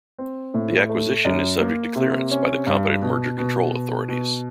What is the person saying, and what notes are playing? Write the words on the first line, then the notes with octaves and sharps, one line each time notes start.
The acquisition is subject to clearance by the competent merger control authorities.
C4
A2
A3
F#2
A#3
C3
C#4
G2
B2
B2
B2
B2